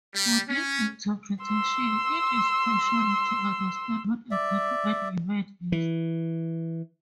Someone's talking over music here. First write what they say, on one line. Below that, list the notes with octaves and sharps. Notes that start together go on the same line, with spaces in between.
For this interpretation, it is crucial to understand what exactly an event is.
G3
C#4
C6 E6
D5 E5
E3